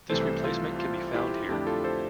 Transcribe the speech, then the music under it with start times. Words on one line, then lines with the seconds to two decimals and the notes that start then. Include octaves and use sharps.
This replacement can be found here.
0.09 C2 C3 E3 A3 A4 C5
0.44 F4
0.79 F4
1.14 E4 G4
1.49 F2 D3 A3 D4 E4 G4
1.67 F4 A4
1.84 A4 C5